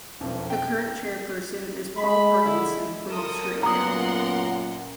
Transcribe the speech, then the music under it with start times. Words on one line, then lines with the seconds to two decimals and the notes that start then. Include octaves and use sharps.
The current chairperson is Paul Parkinson from Australia.
0.20 E1 B1 F2
0.50 G5
1.97 G#3 D#5 B5
2.44 D3 E4
3.08 F#2 A4 A#4 D#6
3.63 F#2 A#2 B3 A#4 F#5 A#5 C6 D#6